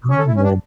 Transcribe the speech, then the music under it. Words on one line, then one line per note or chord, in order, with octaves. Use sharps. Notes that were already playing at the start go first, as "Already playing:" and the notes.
Oh, man.
C#4 C#5
A4
E4
C#4
D4